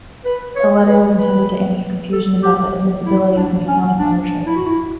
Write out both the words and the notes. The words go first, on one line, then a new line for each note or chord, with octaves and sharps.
The letter was intended to answer confusion about the admissibility of Masonic membership.
B4
C#5
B4
B4
A4
G4
E4
D4
C#4
D4
E4
F#4
E4